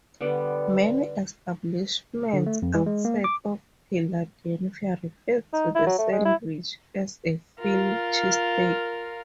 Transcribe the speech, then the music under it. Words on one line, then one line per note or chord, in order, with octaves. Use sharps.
Many establishments outside of Philadelphia refer to the sandwich as a Philly cheesesteak.
D3 G3 B3
D3
A3
F2
E3
G#3
A#3
D6
D#4
E4
F#3
A3
G#3
E4
F4 A#4